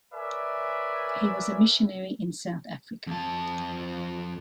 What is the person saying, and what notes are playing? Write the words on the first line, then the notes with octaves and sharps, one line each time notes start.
He was a missionary in South Africa.
A#4 B4 C#5 D5 E5 G#5
F2 A5